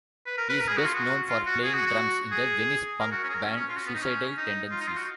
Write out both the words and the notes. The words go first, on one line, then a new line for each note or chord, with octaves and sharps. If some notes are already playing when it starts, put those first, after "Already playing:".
He is best known for playing drums in the Venice punk band Suicidal Tendencies.
B4
A#4
B4
A#4
G#4
F#4
F4
F#4
F4
F#4
G#4
F#4
F#4
G#4
A#4
F#4
C#4
G#4
A#4
C#4
C#4
F4
F#4
B3
D#4
C#4
D#4
F4
D#4
F4
F#4